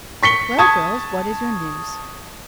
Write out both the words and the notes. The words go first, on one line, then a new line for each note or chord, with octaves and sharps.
"Well, girls, what is your news?"
C#6 B6 C#7 G7
A5 C#6 D#6 G#6